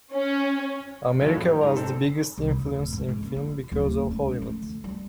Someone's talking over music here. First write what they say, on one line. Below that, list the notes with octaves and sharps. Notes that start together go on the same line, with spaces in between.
America was the biggest influence in film because of Hollywood.
C#4
D2 F#3 C#4 A4 F5
F#2 A2 F3
G3
G#2 A#5
C4 D4 A4
C2
D#2
D1
G#2
C#2
A#3
F4
D1
C#2
A3
D2
G3